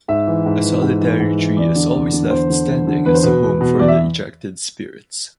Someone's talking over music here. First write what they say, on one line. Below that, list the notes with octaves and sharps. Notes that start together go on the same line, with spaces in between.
A solitary tree is always left standing as a home for the ejected spirits.
G#2 E5
E3
G#2
E3
G#2
E3
G#2
E3
E2 D5
D3
E2
D3
E2 C5
D3
E2
D3
E2 B4
C5
B2 B4
E2
B2
E2 D5
E5